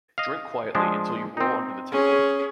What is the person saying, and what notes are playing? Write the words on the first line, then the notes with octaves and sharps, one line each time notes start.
Drink quietly until you roll under the table.
D#5 F5
F3 G#3 D4
C4 D#4
C#4 G#4